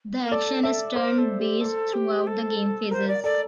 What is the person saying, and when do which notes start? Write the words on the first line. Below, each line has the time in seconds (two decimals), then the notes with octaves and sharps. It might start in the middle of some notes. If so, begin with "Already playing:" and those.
The action is turn based throughout the game phases.
0.25 A#4
0.32 A4 D5
0.63 A4 E5
0.96 A#4 C5
1.18 A4
1.39 G4
1.61 A4
1.93 G4
2.27 A4
2.91 A#4 C5
3.08 D5
3.24 A4 D5